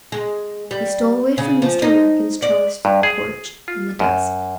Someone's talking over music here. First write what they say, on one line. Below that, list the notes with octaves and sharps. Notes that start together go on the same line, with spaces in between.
He stole away from Mr. Larkin's trellised porch, in the dusk.
G#3
G3
C#3
F3
D#4
D5
G2
G#4
F4
F#2